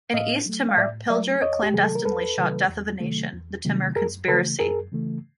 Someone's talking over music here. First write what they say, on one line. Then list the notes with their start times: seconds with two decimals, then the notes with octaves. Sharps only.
In East Timor Pilger clandestinely shot "Death of a Nation: The Timor Conspiracy".
0.13 A2 D#5 F5
0.46 F#3 A3
0.69 F5
0.77 A2 D5 E5
1.10 F#3 A3 D5 E5
1.42 E2 C#5 D#5
1.62 G4
1.73 C3 D#3 F#3 A3 G#4
1.84 A4
1.95 A#4
2.05 E2 A4 B4
2.38 C3 D#3 F#3 A3
2.69 E2
3.00 C3 D#3 F#3 A3
3.33 E2
3.65 C3 D#3 F#3 A3
3.96 F#2 G#4 A#4
4.28 C#3 E3 A3 A4 B4
4.59 F#2 G#4 A#4
4.92 C#3 E3 A3